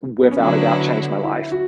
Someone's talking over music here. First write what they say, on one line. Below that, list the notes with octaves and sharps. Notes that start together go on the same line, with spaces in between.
Without a doubt, changed my life.
B3
C#4
D3 F#3 B3 D4 E4
E4
F#4